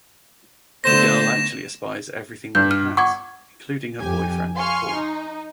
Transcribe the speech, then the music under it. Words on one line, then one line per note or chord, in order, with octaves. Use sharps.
The girl actually aspires everything Mili has, including her boyfriend Paul.
D3 A3 B3 C5 A#6 E7
G2 G6
F6
F#5 C#6 D6 G#6
F2 G4 G#5
F5 G#5 C6 C#6 F6
D#4